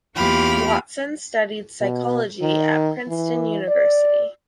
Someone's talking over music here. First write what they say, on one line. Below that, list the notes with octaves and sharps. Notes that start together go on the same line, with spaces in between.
Watson studied psychology at Princeton University.
E2 A#3 F4 G4 B5 F6
B2
D#3
E3
D5